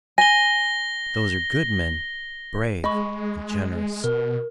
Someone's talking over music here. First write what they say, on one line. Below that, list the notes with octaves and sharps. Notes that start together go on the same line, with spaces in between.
"Those are good men, brave and generous."
G#5 A#6 G7
G#3 D#5 B5 C#6
B2 A#4